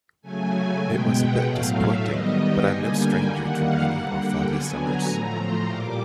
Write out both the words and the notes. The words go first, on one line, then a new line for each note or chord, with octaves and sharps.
It was a bit disappointing, but I am no stranger to rainy or foggy summers.
C#3 F#3 A3 G#5
B2 G#3 B3 G5
F#5
A2 F#3 A3 F5
E5
D#3 G3 B3 D#5
G5
D3 G3 A#3 G#5
G5
D#3 G3 A#3 F#5
F5
D3 G3 A#3 F#5
G5
D3 F#3 B3 G#5
A#5
A2 F3 A3
C6
A#2 G3 A#3 D6